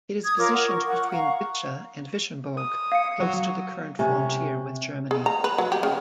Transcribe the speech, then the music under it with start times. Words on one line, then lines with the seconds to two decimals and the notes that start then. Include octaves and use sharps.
It is positioned between Bitche and Wissembourg, close to the current frontier with Germany.
0.24 D#6 G#6
0.37 F4 A#4 C#5 D6
0.53 F#5
0.67 A#4 C#6
0.86 F#5
1.12 F5 A#5 C#6
2.57 D#6
2.92 F5 C#7
3.20 F#3
3.99 C3 C#4
5.11 G#4
5.26 A#5
5.44 B4
5.58 F#3
5.72 G4
5.83 C#3